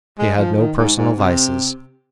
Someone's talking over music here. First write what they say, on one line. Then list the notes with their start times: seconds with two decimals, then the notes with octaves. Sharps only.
He had no personal vices.
0.19 G#3
0.38 F3
0.58 D#3
0.78 G#2
0.98 G#2
1.18 C3